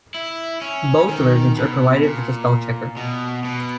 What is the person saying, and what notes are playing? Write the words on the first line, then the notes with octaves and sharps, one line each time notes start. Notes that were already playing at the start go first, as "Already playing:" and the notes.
Both versions are provided with a spell checker.
E4
C#4
D#3
B2
A#2
B2
B2